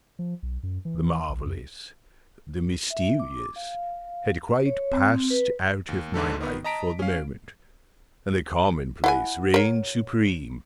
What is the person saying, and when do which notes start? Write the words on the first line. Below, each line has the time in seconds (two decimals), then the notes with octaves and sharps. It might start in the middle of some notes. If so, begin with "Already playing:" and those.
The Marvellous--the Mysterious--had quite passed out of my life for the moment: and the Common-place reigned supreme.
0.19 F3
0.43 B1
0.63 F#2
0.85 E3
1.29 A#1
1.46 F2
2.90 E5
3.20 D6
3.56 F5
4.66 C#5
4.92 C4
5.07 C4
5.30 B4
5.89 D#2
6.14 A#1 G#2 D3 A4
6.40 D#3 B3
6.64 D#5 A5 A#5 B6 D7
6.99 C#4 F5
9.04 E4 F5 F#5 G#5
9.54 A#4 C#5